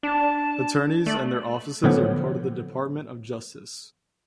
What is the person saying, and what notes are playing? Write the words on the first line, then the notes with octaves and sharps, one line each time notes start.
Attorneys and their offices are part of the Department of Justice.
D4 A5
A3 D5
A2 D3 F3 F#3 B3